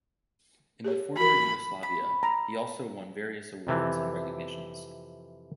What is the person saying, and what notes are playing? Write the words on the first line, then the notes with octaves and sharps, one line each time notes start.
In the former Yugoslavia he also won various awards and recognitions.
G4 G#4 C#5
F#4 A#4 B5
B5
A#5
F2 C3 E3